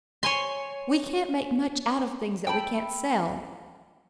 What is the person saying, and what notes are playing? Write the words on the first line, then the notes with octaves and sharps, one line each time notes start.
"We can't make much out of things that we can't sell."
C#5 G#5 C6
G5 A5 B5 E6